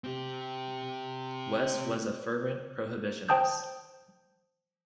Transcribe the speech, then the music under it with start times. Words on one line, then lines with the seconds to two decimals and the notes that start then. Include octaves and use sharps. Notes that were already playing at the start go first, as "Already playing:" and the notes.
West was a fervent prohibitionist.
0.04 C4 G4
3.29 C5 G5 A5 D#6 G6